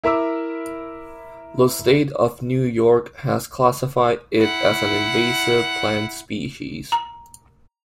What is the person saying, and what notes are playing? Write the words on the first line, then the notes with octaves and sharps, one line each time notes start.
The State of New York has classified it as an invasive plant species.
E4 A#4 E5 D6 E6
E4 F#5
A#5